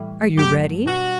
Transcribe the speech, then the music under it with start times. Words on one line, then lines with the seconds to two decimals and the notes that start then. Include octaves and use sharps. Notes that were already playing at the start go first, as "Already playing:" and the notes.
"Are you ready?"
Already playing: A2 E3 G3
0.37 G2 F#3 A3 G4
0.86 B2 G3 D4 F#4